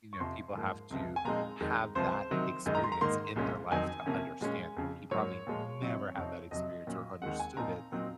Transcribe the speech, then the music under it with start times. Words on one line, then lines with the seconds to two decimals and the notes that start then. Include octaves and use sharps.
you know, people have to have that experience in their life to understand that he probably never had that experience or understood it,
0.13 C#6
0.20 F2 C3 F3 C6
0.55 G#2 F3 A#3
0.91 C#2 C3 F3
1.16 G#5
1.25 A#2 F3 G#3 C4 D#4 A#5
1.61 F2 D#3 G#3 D#4
1.95 C#2 C3 F3 C5
2.31 C3 D#3 F#3
2.66 F#2 D#3 G#3 D#4
2.75 A#5
2.84 C6
2.92 A#5
3.01 G#2 D#3 A#3 D#4 C6
3.36 C2 A#2 G#3 C#4
3.71 F2 D#3 F#3 C4 D#4 G#5
4.06 C3 F3 A#3 C#4
4.41 A#2 G#3 C#4
4.77 F2 C#3 F3
5.11 G#2 F#3 A#3 C#5
5.47 A#2 F3 G#3
5.82 C3 F#3 C4 D#4
6.16 F2 C3 F3 C4 D#4
6.51 F2 C3 F#3 D#5
6.87 A#2 F#3 C#4
7.22 D#2 D#3 G#3 C4 F#5
7.40 G#5
7.57 A#2 F3 C4 D#4 A#5
7.92 A#2 F#3 C4 D#4